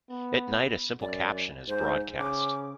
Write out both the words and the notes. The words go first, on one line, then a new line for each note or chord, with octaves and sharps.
At night a simple caption is broadcast.
B3
F#2 D5
G#2 C5
C#3 D6